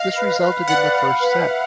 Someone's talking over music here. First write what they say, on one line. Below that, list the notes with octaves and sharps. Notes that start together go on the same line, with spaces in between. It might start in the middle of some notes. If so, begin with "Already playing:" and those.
This resulted in the first set.
Already playing: D#5 F5
B4
B4
D5 F#5
B5
B4
E5